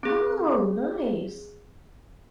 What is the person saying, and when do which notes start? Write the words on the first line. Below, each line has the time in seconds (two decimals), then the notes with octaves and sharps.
Oh, nice.
0.03 C4 G#4